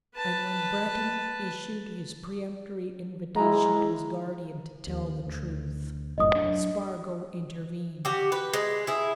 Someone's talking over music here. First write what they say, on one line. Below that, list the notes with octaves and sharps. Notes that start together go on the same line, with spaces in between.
And when Breton issued his peremptory invitation to his guardian to tell the truth, Spargo intervened.
B4 A5
G#3 E4 A#5
D#2
D2
F1 F#2 A2 D#5 D#6
F#3 D4
F#4 G4
B4
G#3
E4 G#4